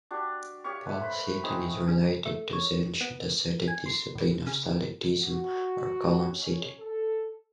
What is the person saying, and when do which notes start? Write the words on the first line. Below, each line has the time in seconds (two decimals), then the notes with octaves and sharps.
Pole sitting is related to the ancient ascetic discipline of stylitism, or column-sitting.
0.11 D4 F#4 G4 D5
0.64 G4 C#5 F5 C#6
0.85 A3 F#5
0.99 B4 C5 B5
1.43 C4 C#4 D#4 C#5
1.88 C#3
2.26 A3
2.53 C#5
3.01 B3
3.68 G#5
3.86 C6
4.15 A1
4.47 C#3
5.22 F#4
6.33 C#4
6.79 A4